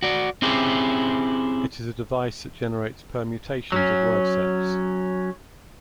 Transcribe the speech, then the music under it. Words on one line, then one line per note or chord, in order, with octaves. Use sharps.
It is a device that generates permutations of word sets.
F#4 D5
C4 C#4 E4 G4 G#4 C5
F#3 C#4